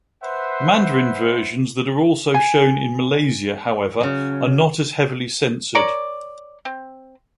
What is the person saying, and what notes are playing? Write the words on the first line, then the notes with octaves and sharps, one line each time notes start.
Mandarin versions that are also shown in Malaysia however, are not as heavily censored.
B4 C5 E5 F#5 C6
G#5
C#3 F#3
A#4 C#5 D5
C4